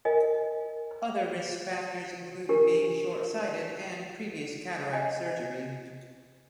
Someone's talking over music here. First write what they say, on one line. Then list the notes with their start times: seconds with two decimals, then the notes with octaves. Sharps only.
Other risk factors include being short sighted and previous cataract surgery.
0.05 A#4 D#5 G#5
2.49 D4 G4 A#4
4.93 D#5 G#5